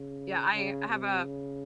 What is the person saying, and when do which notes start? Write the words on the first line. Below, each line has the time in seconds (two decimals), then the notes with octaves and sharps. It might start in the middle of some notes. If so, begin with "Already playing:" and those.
Yeah, I I have a
Already playing: C#3
0.53 C#3
0.89 C3
1.24 C#3